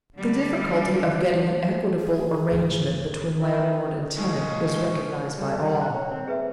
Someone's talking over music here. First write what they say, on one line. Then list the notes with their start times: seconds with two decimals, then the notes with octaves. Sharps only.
The difficulty of getting an equitable arrangement between landlord and tenant is recognized by all.
0.17 D3 G3
1.99 G#4
2.51 D2 G#2 D3
3.40 E3
4.18 F3 G#3 C#4 D#4
4.33 A#2
4.71 D#4
5.37 G3 A4
5.60 G3 D#4
5.81 A#5 F#6
5.93 C#5
6.11 C4
6.28 G#4 B4 E5